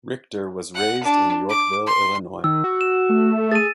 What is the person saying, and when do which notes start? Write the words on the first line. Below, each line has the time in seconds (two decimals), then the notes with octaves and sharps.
Richter was raised in Yorkville, Illinois.
0.74 F#5
1.03 D4
1.49 D6
1.87 C6
2.44 D#3 E6
2.64 F#4
2.81 E7
3.09 A3
3.52 G#4 A6 D#7